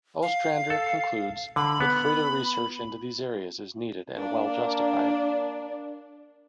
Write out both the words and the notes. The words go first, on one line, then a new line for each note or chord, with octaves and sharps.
Ostrander concludes that further research into these areas is needed and well justified.
F5
A4
D3 B5
B3
A#3 D4